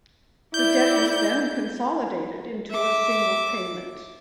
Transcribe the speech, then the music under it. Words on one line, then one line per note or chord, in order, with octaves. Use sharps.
The debt was then 'consolidated' into a single payment.
E4 D5 G6
E5 D6